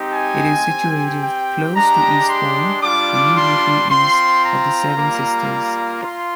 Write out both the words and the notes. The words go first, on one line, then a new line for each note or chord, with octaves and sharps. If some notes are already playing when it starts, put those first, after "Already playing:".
It is situated close to Eastbourne, immediately east of the Seven Sisters.
Already playing: G#3 C4 D#4 G4
G#5
C4 G4
G5
G#3 D4 G4 A#5
C6
G3 D4 F4 D6
C6
C4 F4 C6
A#5
G3 A#3 F4
F4 C6